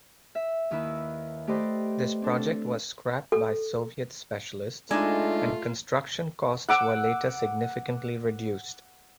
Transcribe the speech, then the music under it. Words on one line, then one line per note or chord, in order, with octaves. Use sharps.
This project was scrapped by Soviet specialists and construction costs were later significantly reduced.
E5
D#2 D#3 E4 B4 E6
A3 G4 B4 C5 D5 D#5
C4 D4 A4
A4
G#3 A3 D4 D#4 F4 A4 D5 G#5
F#5 D6 E6